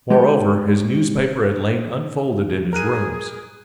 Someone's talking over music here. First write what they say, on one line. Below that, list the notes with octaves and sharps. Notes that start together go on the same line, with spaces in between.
Moreover, his newspaper had lain unfolded in his rooms.
G#3 G4 C#5 G5
G#4 A#4 F#6 D#7